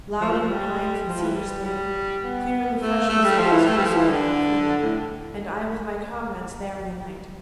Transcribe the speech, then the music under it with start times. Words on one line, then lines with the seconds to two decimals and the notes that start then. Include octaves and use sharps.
Loud in the pines and cedars dim, Clear in the freshness moist and the swamp-perfume, And I with my comrades there in the night.
0.21 F3
0.31 A3
0.41 F3
0.50 G3
1.08 F3
1.22 E3
1.36 G3
1.65 G3
2.23 B3
2.81 A3
3.09 A3
3.25 G3
3.38 F3
3.52 E3
3.67 A3
3.77 G3
3.86 F3
3.96 E3
4.10 D3
4.82 A2